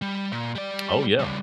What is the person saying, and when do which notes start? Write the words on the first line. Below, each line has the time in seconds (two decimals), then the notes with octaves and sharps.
Oh, yeah.
0.02 G3
0.32 A#2
0.55 G3 D5
1.19 C#3 G3